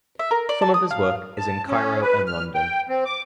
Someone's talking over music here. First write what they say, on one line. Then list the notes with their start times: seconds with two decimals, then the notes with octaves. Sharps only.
Some of his work is in Cairo and London.
0.19 E5
0.31 A#4
0.49 D5
0.62 A5
0.74 D#6
0.91 F5
1.37 A5
1.68 C#4
2.02 B4
2.27 F6
2.54 G5
2.89 C4
3.05 D6